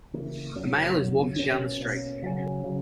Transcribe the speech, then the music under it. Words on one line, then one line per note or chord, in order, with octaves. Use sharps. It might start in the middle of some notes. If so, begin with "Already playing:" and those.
A male is walking down the street.
C#3 E3 A#3
F#2 C#3 F#3 C#4
F#2 C#3 F#3 C#4
B2 A#3 C#4
B2 A#3 C#4
C#3 F#3 C#4
C#3 F#3